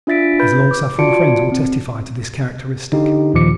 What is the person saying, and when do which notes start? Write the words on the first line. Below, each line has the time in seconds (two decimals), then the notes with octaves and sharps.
His long-suffering friends will testify to this characteristic.
0.07 D4 F4 E5 A6 B6 D7
0.40 B4 B5 G6
0.71 D6
0.98 F4 F#4 D5 A5 C#7 D7
1.52 C4
2.92 D3 D#4 G4
3.34 D#2 A#2 F3 D6 C#7